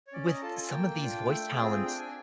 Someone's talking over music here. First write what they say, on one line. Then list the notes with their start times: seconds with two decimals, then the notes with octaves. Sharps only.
with some of these voice talents,
0.07 C#5
0.13 C#4 D5
0.27 D#5
0.35 A#5
0.42 F4 A4 A5
0.56 G#5
0.70 A#3 G5
0.99 D4 F4
1.28 A3
1.55 C4 F4 G#4
1.84 D4 G5
1.98 G#5